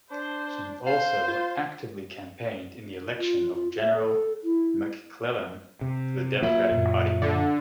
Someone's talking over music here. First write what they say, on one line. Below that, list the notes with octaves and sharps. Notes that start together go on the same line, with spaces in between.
He also actively campaigned in the election of General McClellan for the Democratic Party.
D4 C5
C5 F5
F4
F4
F4
E5
A4
E4
C3
F#3 A#3 F4 E5
F#2 A#2
D3